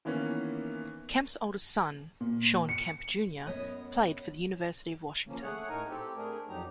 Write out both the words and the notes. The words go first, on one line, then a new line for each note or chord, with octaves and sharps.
Kemp's oldest son, Shawn Kemp Junior played for the University of Washington.
D#3 E3 A#3 B3 C#4
A#2
C#7
F#2 C#3 B3 C#5 D#5
F3 A#3 C#4
A3 G#4 C#5 F#5
A2 D#4 A#4 G#5 A#5
C4 G4 A4
A3 D4 G#4 A#4
F2 F#3 D#4 G4 A#5